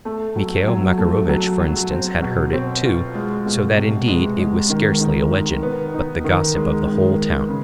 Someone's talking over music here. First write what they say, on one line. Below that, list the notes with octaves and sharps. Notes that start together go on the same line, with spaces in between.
Mihail Makarovitch, for instance, had heard it, too, so that indeed, it was scarcely a legend, but the gossip of the whole town.
A3
F#3
F#3
A3
F#3
F#3
C4
B2
C4
F4
G#3
B2
C3
G#3
G#3
D#3
D#3
D#3
B3
D#4
D#3
G#3
D#3
B3
C#3